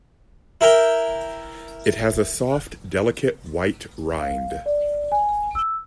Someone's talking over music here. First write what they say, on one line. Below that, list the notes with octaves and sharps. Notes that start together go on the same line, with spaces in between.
It has a soft, delicate white rind.
E4 A#4 G5
F5
D5
G#5
E6